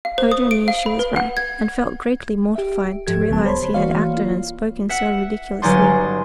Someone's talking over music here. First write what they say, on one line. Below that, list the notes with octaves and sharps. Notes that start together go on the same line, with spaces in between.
Ojo knew she was right and felt greatly mortified to realize he had acted and spoken so ridiculously.
F5
C5
D#6
D7
F5
B5
B4
F#5
G#6
G4 E5
G#2 F3 G4 A4 G#6
C2 D3 F#3 B3 A5
C5 C#5 B5 C6
E3 A#3 F#4 C#5 D5 F5
A#3 F4
E5 F#5
G1 F#3 C#4 D#4 D5 C6